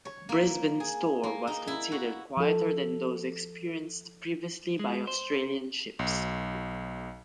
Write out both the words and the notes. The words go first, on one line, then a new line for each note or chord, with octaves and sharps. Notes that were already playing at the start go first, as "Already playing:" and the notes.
"Brisbane"s tour was considered quieter than those experienced previously by Australian ships.
C#5
A#3
G#4
A#3
D#4
E4
F#4
F3 A4
G#3
C5
B1